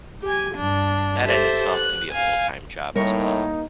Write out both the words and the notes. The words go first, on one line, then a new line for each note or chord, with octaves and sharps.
that in itself can be a full-time job as well.
G4 G#5
G2 D4
G4 A4 C5 E5
F#6
F5 G#5
A2 G3 A#3 D#4 A#4 C#5